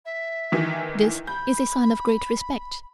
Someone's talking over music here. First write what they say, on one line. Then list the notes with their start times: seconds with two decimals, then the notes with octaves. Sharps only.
This is a sign of great respect.
0.05 E5
0.52 D#3 E3
1.27 B5 G6